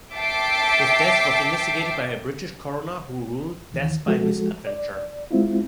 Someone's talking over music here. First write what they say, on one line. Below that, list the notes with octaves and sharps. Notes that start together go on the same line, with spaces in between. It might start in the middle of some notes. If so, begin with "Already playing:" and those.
His death was investigated by a British coroner who ruled 'death by misadventure'.
E5 G5 A5 D6 C7
D#2 D#3 E3
F3 G#3 F#4 A4
D5
G#3 C4 E4 F4